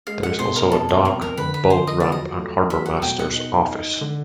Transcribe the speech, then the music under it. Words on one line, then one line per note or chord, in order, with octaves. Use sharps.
There is also a dock, boat ramp and harbormaster's office.
G#3 F5
F#5
B2 C5
A#4
F2 A4
A4
F2 A#4
A#4
D3 B4
B4
F3 C5
D#5
F#3 D5
D#5
A3
F#3 E5
F#5
B2 G5
F#5
D#4
D#4
D3